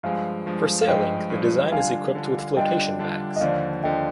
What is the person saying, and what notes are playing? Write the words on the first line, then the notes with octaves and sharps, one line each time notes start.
For sailing the design is equipped with flotation bags.
G2 F3 G#3 F5 G#5
G2 F3 G#3
F5
G2 F3 G#3 D#5 G5
G2 F3 G#3
D3 G3 D4 F4 F5 G#5
D3 G3 D4 F4
D3 G3 D4 F4 D#5 G5
D3 G3 D4 F4
D#5
D#2 D3 F3 D5 F5
D#2 D3 F3 D#5 G5